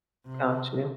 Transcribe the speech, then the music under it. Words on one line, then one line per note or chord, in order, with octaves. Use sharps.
Got you.
C3